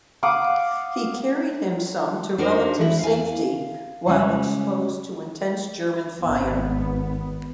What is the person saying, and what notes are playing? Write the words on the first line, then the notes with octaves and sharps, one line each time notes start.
He carried him some to relative safety while exposed to intense German fire.
F5 F#5 D6 D#6
D4 D#4 F#4 A#4 C5
E3 E4
F5 G#5
C#3 G3 G#3 C#4
G#1 B3